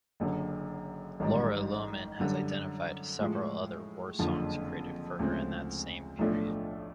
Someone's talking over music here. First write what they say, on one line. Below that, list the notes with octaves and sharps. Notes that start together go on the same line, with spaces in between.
Laura Lohman has identified several other warsongs created for her in that same period.
F#1 F#2 D3
A1 G#2 D#3 G3
F#2 D3 G3
A2 F3 G#3
F#1 F2 D3 F3
D2 C#3 F3 G#3 C4
B1 A2 F3 A3 D4